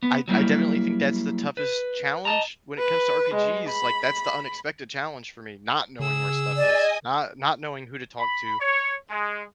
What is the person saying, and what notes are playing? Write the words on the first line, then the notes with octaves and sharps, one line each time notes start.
I I definitely think that's the toughest challenge when it comes to RPGs, like, that's the unexpected challenge for me, not knowing where stuff is, not not knowing who to talk to,
B3
F#3 G3 A#3 E4
B4
D#5 A5 A#5
B4
G#3
B5
C#3 G#4 E6
D5 D#5 G#5 D#6
B5
C#5
G#3